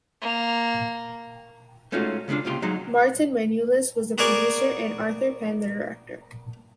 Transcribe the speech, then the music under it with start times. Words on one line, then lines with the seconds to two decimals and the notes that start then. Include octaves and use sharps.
Martin Manulis was the producer and Arthur Penn the director.
0.22 A#3
1.92 G#3 A3 C#4 D#4 F4 F#4
2.28 C#3 G3 G#3 D4 F4
2.45 C2 A#2 C#3 F4 G4 C6
2.62 F#3 G#3 D#4
4.18 B3 F#4 G#4 A#4 D5 G#5